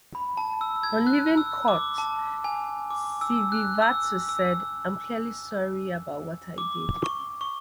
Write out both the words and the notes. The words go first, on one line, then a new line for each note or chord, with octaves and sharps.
On leaving court Sivivatu said "I'm clearly sorry about what I did".
B5
A5
E6
G#6
F#6
E6
D6
A5
G#5
D6
E6
F#6
E6
E6
D6
C#6
C#6